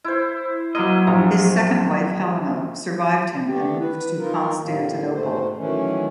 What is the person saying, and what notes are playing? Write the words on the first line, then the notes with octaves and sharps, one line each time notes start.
His second wife Helena survived him and moved to Constantinople.
E4 C5
F#3 A#3 E4 D#5
A#1 F3 A#5
A3 B3 D4 G4
B4
D#4 F4 A#4
A2 C3 D#3 A#3
G#2 B2 A3 C5
D#3 E3 F#3 A3 C#4